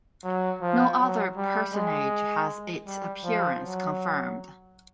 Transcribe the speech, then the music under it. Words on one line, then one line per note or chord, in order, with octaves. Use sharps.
No other personage has its appearance confirmed.
F#3
F3
F#3
G3
G#3
G3
F3
F#3